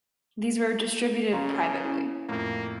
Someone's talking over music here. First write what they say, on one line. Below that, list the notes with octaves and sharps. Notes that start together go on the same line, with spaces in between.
These were distributed privately.
C#3 C#4 F5 A#5 C6
C#4 E4 C#5
F2 A2 A#3